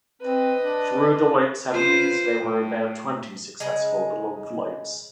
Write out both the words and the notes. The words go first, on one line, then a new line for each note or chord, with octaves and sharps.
Through the late seventies, there were about twenty successful balloon flights.
C4 B4 D#5
D4
F4 B4 C5
A2
C#3 G#3